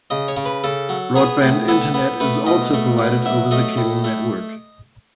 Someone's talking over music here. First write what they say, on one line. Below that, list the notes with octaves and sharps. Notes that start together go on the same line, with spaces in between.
Broadband internet is also provided over the cable network.
C#3 D#5
C#5
C#3
B4
C#3 A4
F#3
B3 G#4
A2
B3 A4
B3
A3 B4
B2 D#5
A3
B2
F#3 E5
A3 D#5
A2
A3